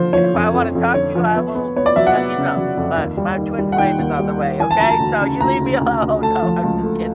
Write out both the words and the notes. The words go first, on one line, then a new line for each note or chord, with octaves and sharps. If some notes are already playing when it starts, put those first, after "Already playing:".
if I wanna talk to you, I will let you know, but my twin flame is on the way, okay? So you leave me alone. No, I'm just kidding.
Already playing: D3 F3 C5
F3 C#5
F2
F2
F2
D3 C#5
F3
B3
B3
B3 C#5
D5
F#3 E5
F#5
B3
C#3
F#3
F2
D#2
G3
D#3
G3
F#5
D#3 G5
D#2
G3
D#3
E3 G#5
A5
D2 A#5
A5
D2
C#3
D2 A#5
C#3
D2
D2
A3 A5
F3
C#2
A3